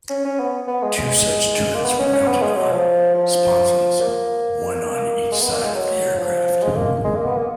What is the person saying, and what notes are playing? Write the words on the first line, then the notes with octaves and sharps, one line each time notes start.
Two such turrets were mounted on sponsons, one on each side of the aircraft.
C#4
C#4
B3
B3
G#3
G#3
A#3
B3
C#4
C#4
B3
G#3
F#3
F3
F3
A#3
G#3
B3
A#3
G#3
F#3
F3
G#3
A#3
G#3
A#3
B3
A#3